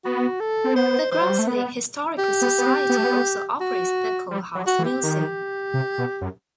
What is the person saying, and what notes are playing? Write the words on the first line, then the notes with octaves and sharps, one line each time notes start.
The Grass Lake Historical Society also operates the Coe House Museum.
B3 F#4
A4
C4
B3 C5
E3 C5
F#3
G3
A3
B3
G4
B3
B3
C4
B3
A3
B3
F#4
G3
F#3
F#4
E3
G4
D#3
C3
B2
F#2